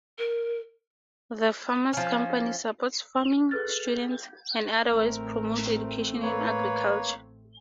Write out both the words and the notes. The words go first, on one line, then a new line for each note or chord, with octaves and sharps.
The Farmers' Company supports farming students, and otherwise promotes education in agriculture.
A#4
F3 C#4
G#4 A4 B4 F6 A6
A1 A3 C4 A#4
A#3 B4 C#5